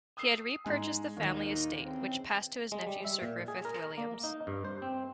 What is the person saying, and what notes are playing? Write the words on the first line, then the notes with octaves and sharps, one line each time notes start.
He had repurchased the family estate, which passed to his nephew Sir Griffith Williams.
D#6 E6 C7
G#2 G#3 G#5
D#2 A#2 D#4
C#3 E3 C4
G#3
G3
E5
A#2
G#4
A#4
A#3
D#4
G2
C5
C4